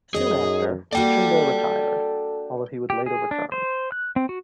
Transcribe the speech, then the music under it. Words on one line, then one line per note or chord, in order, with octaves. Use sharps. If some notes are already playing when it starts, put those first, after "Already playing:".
Soon after, Shundo retired, although he would later return.
F#2 D#4 G#4 C#5 D#5
A#3 D4 F#4 A4 D5 G5
G4
G#4
D4
C5
F#6
C4
F#4